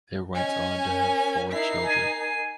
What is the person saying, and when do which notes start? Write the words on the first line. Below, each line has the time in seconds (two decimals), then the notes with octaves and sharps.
They went on to have four children.
0.34 C#4 D#5 G#5
0.86 A#4
1.52 D#4 E4 C7
1.83 G#5
2.19 G#5